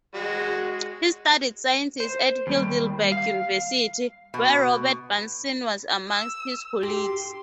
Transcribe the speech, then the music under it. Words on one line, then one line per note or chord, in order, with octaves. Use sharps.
He studied sciences at Heidelberg University, where Robert Bunsen was amongst his colleagues.
G#3 F#4
C5
D#2 G3
F5
B2
E6
G4 C6